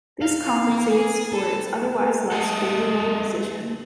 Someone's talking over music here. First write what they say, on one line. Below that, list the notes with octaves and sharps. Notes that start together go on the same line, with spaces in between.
This compensates for its otherwise less favourable position.
F5
A#3
G#4
A4
G#3 A4